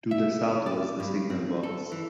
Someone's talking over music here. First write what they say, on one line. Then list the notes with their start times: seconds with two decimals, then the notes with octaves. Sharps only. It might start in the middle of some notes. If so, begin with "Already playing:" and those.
To the south was the signal box.
0.11 E5
0.66 D5
1.00 G2
1.30 C4
1.63 A4
1.92 E3